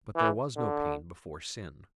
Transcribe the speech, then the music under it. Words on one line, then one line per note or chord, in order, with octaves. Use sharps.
But there was no pain before sin.
E3
D3